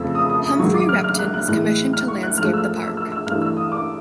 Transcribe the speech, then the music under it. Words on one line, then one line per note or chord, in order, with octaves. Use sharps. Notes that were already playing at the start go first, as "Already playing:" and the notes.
Humphry Repton was commissioned to landscape the park.
Already playing: F2 C#3 F3 A3 E6
D#6
D#6
D#6
G#2 D#3 F#3 C#6
D6
F6
F6
F#6
F#6
A2 E3 G#3 F#6
F6
C#6
F#6
G#2 F3 A3 F6
E6
F6
E6
E6
E6
G2 E3 A3 F6
E6
D#6
D6